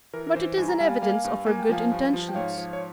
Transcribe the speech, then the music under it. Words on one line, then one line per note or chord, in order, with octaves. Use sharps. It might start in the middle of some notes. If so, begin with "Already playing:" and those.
But it is an evidence of her good intentions.
E3 A#4
A#4
E3 C5
G2 G#5
A#5
G3 F5 G#5
A#3 F5 G#5
G2
A#3 G#5
G5
F3 F5 G#5
G2
F3
G5
G#2 C#5 F5
F3
C#5